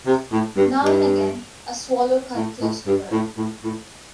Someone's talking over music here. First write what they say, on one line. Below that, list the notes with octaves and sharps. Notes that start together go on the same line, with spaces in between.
Now and again, a swallow cut close to her.
C3
A2
G2
G2
A2
A2
G2
A2
A2
A2